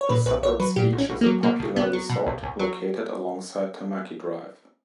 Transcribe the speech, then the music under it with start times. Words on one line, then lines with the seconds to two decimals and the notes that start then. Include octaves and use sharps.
The suburb's beach is a popular resort, located alongside Tamaki Drive.
0.01 C#5
0.09 A#2 B4
0.26 B1 B4
0.43 B1 C#5
0.60 F#3 B4
0.76 A#2 G4
0.93 B1
0.98 C#4
1.10 B1
1.21 A#3
1.26 F#3
1.43 B2 A#3
1.60 C#2
1.76 C#2 B3
1.93 F#3
2.10 B2
2.27 C#2
2.43 C#2
2.59 F#3